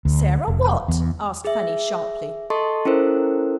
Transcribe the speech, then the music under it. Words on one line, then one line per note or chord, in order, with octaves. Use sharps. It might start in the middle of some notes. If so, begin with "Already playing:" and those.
'Sarah what?' asked Fanny, sharply.
D2
F1
E2
G#4 E5
A4 D#5 A5 C6 C#6
C#4 E4 A4 A#4 C5